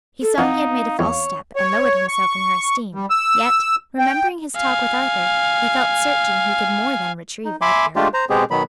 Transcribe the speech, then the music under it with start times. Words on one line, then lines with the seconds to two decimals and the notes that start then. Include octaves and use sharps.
He saw he had made a false step and lowered himself in her esteem, yet, remembering his talk with Arthur, he felt certain he could more than retrieve that error.
0.22 A4
0.38 E3 C4 D#4 D#5 F5 F#5
0.99 E2 C#5
1.56 C#5
2.08 C#6
2.95 G3
3.10 E6
3.99 G5
4.56 F5 G#5
7.45 D#4
7.61 E5 G#5 B5 C6 D6
7.96 G#3 A3 D4 F4 G4
8.14 C5 A#5
8.30 B2 G#3 B3 C4 G4 G#4
8.51 B2 D#3 F#3 B3 B5